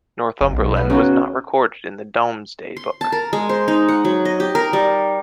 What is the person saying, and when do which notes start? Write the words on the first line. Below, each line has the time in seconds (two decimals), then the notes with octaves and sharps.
Northumberland was not recorded in the Domesday Book.
0.41 F#1
0.54 B1
0.77 B3
0.90 C#3 D#4 F#4
2.77 C6
3.01 A5
3.12 A#4
3.33 G#3
3.49 C5
3.68 D#4
3.88 F#5
4.05 F#3
4.25 D#5
4.40 G4
4.55 A#4
4.73 G3